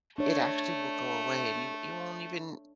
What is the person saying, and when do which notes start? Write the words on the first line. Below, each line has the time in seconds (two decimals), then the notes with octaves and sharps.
it actually will go away, and you w you won't even
0.18 A3 D4 C#5